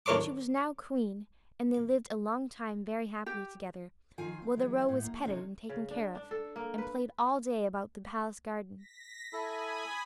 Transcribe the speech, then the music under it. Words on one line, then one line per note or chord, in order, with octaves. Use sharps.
She was now queen, and they lived a long time very happily together; while the roe was petted and taken care of, and played all day about the palace-garden.
D#2 D4 A#4 C#5 C6 D6
G4
D#3 F3 F4 G#5
C4
E3 F#3 G#3 E4
A2
A#3
F2 C3 E3 C4 C#4 D#4
C#3
D4
D4
A4
A#3
B4
A#6 B6
E4 A4 G#5 B5 D#6